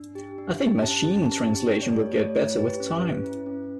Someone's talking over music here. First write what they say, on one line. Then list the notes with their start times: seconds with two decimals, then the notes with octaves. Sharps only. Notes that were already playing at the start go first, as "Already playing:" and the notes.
I think Machine Translation will get better with time.
Already playing: D4
0.15 G4
0.38 D4
0.60 G4
0.83 C#4 A5
1.03 G4
1.26 C#4 A5
1.48 G4
1.69 G4 C#5
1.82 D5
1.92 A3 C#5
2.13 A3 C#5
2.35 E4
2.58 G4 B4
2.80 C#4
3.03 C#4
3.24 E4
3.46 C#4